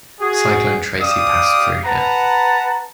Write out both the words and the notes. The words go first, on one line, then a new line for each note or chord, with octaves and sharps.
Cyclone Tracy passed through here.
F#4 G#4
G4 D5 F5 D6 D#6
B4 F#5 A5 A#5